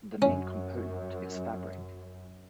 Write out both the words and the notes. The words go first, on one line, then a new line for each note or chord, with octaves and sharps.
The main component is fabric.
F#2 C#4